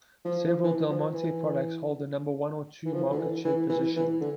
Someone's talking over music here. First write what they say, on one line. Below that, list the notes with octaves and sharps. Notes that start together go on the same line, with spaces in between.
Several Del Monte products hold the number one or two market share position.
F3
F3
E3
F3
E3
E3
F3
D3
E3
E3
E3
E3
D3